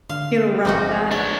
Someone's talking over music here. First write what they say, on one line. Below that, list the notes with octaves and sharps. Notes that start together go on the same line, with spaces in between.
get around that.
D3 F5 C6
G1 C2 G#2 F3 D#4 F#4
D4 B4 C#5